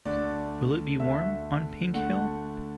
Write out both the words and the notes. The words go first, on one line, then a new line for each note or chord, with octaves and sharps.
Will it be warm on Pink Hill?
D2 D3 A3 D5
D2 D3 A3 E5
D2 D3 A3 F#5